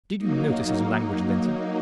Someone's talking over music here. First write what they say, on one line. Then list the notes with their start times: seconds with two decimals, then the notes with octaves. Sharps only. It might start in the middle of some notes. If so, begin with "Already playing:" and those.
Did you notice his language, Linton?
0.18 F#3 A#3 D#4